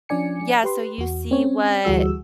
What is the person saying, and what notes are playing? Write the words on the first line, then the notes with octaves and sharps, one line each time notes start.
Yeah, so you see what
F3 C#4 D4 D5 G#5 C#7
G4 B4 C6
E2 F#4
C4 C#4 C#5
D2 E3 G3 F#4 G#4 E6